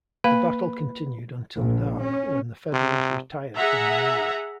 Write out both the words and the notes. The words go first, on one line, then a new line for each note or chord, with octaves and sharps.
The battle continued until dark, when the Federals retired from the area.
A#3 B4 F5
A#1
C#4
C3
G#4 E5 F#5 A#5